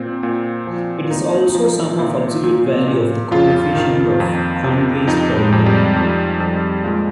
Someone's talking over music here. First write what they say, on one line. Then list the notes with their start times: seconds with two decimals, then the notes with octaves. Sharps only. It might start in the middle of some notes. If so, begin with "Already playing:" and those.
It is also sum of absolute value of the coefficients of Conway's polynomial.
Already playing: A#2 C4
0.23 A#2
0.67 F3
1.11 A#2 D#4
1.55 F3
1.99 A#2
2.44 A#2
2.88 A#2
3.31 F2 F4
3.75 D#3
4.20 F2
4.63 C3
5.07 F2 D#4
5.38 G#3
5.52 F2
5.66 G3
5.96 F2
6.40 F2
6.84 A#2 G#3